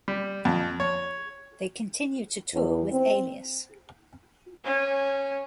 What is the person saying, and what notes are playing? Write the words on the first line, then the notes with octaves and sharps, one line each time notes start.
They continue to tour with Alias.
G3
F2
C#5
E2
C4
C#4